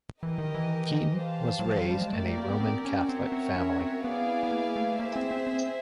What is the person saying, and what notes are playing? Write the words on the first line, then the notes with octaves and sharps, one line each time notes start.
Keaton was raised in a Roman Catholic family.
E3 G4 A#4 D#5
D#3
E3
G4 C5 F5 A5
F#3
F3
F#3
G3
G#3
A3 G4 A#4 D5
A#3
B3
C4
C#4
C4 F#4 A#4 C#5 E5
C4
C#4
C4
B3 E4 G#4 B4 D5 F5
B3
A#3
A3
A#3 G#4 C5 E5
C4
C4
C4